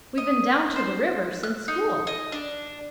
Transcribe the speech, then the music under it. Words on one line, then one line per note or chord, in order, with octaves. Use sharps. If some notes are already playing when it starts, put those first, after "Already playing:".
"We've been down to the river since school."
D#5
C5
F#6
D#4
D#5
D4